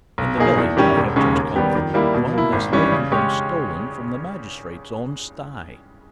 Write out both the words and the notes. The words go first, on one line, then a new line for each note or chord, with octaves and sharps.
In the village I have just come through, one has lately been stolen from the magistrate's own sty.
B1
B2 A#3 D#4 G#4
E2
D#3 G3 C#4 G4
E1
D#2 C#3 G#3 C#4
D#2
D#3 G3 B3 G4
D#3
G3 A#3 E4
B2
A#3 E4
G#1
G2 E3 G3 C#4
C#3
G#3 C#4 G4 C#5